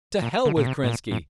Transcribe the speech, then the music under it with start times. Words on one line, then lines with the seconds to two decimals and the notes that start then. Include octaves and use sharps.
To hell with Kerensky!
0.22 A#2
0.45 D3
0.57 A#2
0.67 C3
0.84 A2
0.89 A#2
1.11 A2